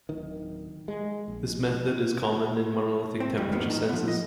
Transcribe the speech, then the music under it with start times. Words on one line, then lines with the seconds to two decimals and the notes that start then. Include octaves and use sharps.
This method is common in monolithic temperature sensors.
0.09 D1 D#3
0.88 G#3
1.28 A#1
3.20 C4
3.37 F2 A2 G3 C#4
3.52 F2 G#2 D#3 A#3 B3
3.70 D#4 A5
3.89 F3 B3
4.08 D#5